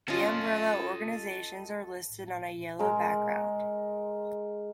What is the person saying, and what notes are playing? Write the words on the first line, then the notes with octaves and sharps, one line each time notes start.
The umbrella organizations are listed on a yellow background.
C#4 F4 A4 D#5
G#3 A#4